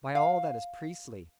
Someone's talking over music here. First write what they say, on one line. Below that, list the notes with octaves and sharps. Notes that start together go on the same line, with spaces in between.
By all that is priestly!
F5